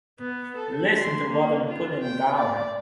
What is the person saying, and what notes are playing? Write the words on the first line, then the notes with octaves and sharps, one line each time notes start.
Listen to what I'm puttin' down.
B3
A4
C6
A#3
F4
G5
D5